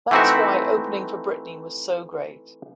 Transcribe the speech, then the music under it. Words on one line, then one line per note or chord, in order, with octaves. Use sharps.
That's why opening for Britney was so great.
E3 A3 C4 D#4 F#4 E5